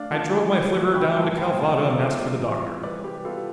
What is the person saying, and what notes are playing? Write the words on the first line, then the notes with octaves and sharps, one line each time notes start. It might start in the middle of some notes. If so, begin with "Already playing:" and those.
I drove my flivver down to Calvada and asked for the Doctor.
Already playing: A3 D4 D5 F5
F3 F5 A5
A3
A3
A3
F3 G5 B5
G2 A5 C6
F3 G5 B5
A3 F5 A5
A3 D5 F5
D5
F3 C5 E5
G3 D5 F5
E3
C4
G3 B4 D5
C3 G4 B4
B3 F4 A4